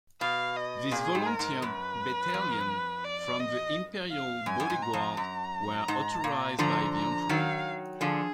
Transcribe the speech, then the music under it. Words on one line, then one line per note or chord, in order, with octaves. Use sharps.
This volunteer battalion from the Imperial Bodyguard were authorized by the Emperor.
B2 F5
D#5
A#2 G#4
G#2
A#4
G#2
F#2 B4
F2
D5
D#5
F5
F#2 G#5
F#2
G#2
A#5
F2
F#2 A#5
G#2
A#2
D3 F3 A#5
A#5
D#3 F#3 F5
D3 F3 G#4